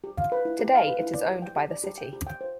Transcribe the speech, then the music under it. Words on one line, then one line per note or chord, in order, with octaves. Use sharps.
Today it is owned by the city.
G4
F5
B4
E4
G4
F5
B4
E4
D5
G4
G5
G4
D5
G4
G5
G4
G5
C5